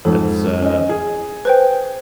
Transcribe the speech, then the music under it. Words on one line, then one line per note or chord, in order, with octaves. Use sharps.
that's uh,
F2 G#2 A4
C#4 D#5
G#4
B4 C5 G5